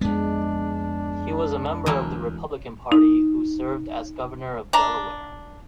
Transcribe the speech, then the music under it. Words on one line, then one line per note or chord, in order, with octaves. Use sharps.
He was a member of the Republican Party who served as Governor of Delaware.
F2 G#3 B3 D4
D2 E3 F#3 A#3
D#4
D4 A#5